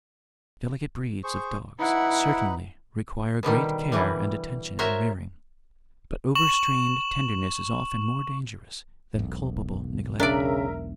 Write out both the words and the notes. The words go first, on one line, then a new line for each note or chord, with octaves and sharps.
Delicate breeds of dogs certainly require great care and attention in rearing; but overstrained tenderness is often more dangerous than culpable neglect.
G#4 C5 C#6
D#4 E4 B4 F#5 B5
B2 D3 D#3 G3
D3 E3 G3
F#4 A#4 C5 C#5 E5
C#6 E7 F#7
E1 B1
C#3 D4 A#4 D5 E5